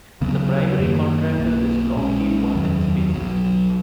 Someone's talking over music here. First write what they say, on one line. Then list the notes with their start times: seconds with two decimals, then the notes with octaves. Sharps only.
The primary contractor is Lockheed Martin Space Systems.
0.21 D#2 C#3 F#3 B3
0.79 F#2 D#3 A#3
1.38 B1 B2 A#3
1.96 B1 A#2 G#3 C#4
2.54 F#1 E2 D#3 F#3
3.13 B1 B2 F#3